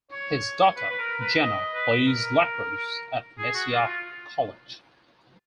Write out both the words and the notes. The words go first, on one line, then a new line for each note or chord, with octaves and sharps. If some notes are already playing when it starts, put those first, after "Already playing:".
His daughter, Jenna, plays lacrosse at Messiah College.
C#5
B4
B4
A#4
B4
D#5
B4
A#4
G#4
F#4
F4
F4